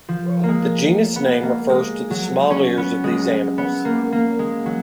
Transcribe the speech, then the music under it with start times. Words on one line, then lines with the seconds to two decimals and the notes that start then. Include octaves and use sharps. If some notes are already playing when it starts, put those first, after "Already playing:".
The genus name refers to the small ears of these animals.
0.08 F3
0.44 G#3 A#3
1.16 B3
1.43 A#3
1.70 G#3
2.11 F#3
2.50 C#4
2.77 B3
3.04 G#3
3.58 B3
3.85 A#3
4.12 A#3
4.39 G#3
4.66 F#3